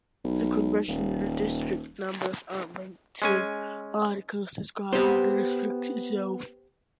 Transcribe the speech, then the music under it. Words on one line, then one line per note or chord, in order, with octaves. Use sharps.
The congressional district numbers are linked to articles describing the district itself.
B1
D#1
G#3 C#4 G#5
B3 G4 C5